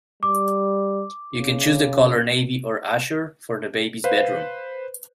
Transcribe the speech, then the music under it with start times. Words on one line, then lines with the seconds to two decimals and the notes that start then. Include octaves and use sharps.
You can choose the colour Navy or Azure for the baby's bedroom.
0.23 G3 D6
1.35 C#3
4.04 B4 C5 F5